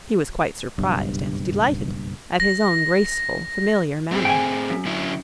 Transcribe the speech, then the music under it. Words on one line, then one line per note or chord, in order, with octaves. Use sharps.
He was quite surprised and delighted at his own graceful familiar manner.
F#1 B1 G2
A#6
A3 C4 G#4
G5 G#5
F#2
D3 C#4 E4